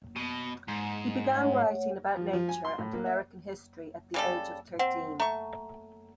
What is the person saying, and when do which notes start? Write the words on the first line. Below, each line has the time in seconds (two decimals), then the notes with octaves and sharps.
He began writing about nature and American history at the age of thirteen.
0.16 B2
0.68 G#2
1.34 A3 C#5 F#5
2.17 F3
2.33 F3
2.49 G#5
2.65 C6
2.78 A2
2.93 A#3
3.06 E5
4.14 C#3 G3 A4
4.79 C4 F#5
5.20 A3 A#5 C#6